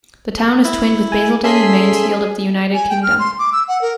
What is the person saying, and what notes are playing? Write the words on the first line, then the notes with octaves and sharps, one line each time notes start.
The town is twinned with Basildon and Mansfield of the United Kingdom.
E4
G#5
C#4 G#4 A4 E5 C6 B6
G#5
G5
F6
C6
D6
E6
F#5
A#4